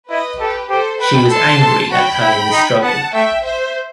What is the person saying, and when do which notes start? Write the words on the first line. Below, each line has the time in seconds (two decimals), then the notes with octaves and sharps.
She was angry at having this struggle.
0.09 E4 B4 D#5
0.40 G4 A4 B4
0.70 G4 A4 C5
1.01 B4 G5 B5
1.31 A4 A5 C6
1.61 A4
1.91 F#4 G5 B5
2.22 E4
2.52 D#4
2.82 B3 F#5 A5
3.13 A3 E5 G5
3.43 C5 E5